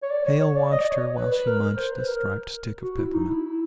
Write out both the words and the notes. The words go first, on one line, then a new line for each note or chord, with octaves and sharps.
Hale watched her while she munched a striped stick of peppermint.
C#5
D5
C#5
C#5
D5
D#5
D5
C#5
B4
B4
A#4
A#4
C5
B4
A#4
F#4
E4
D#4
E4
E4